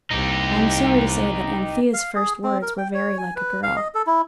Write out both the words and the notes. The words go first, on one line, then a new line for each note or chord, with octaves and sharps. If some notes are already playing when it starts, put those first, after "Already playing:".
I am sorry to say that Anthea's first words were very like a girl.
C2 D#4 G4
F5
G#4
C4
A#4
G5
C#5
G#5
B4
F5
D#5
A4
E4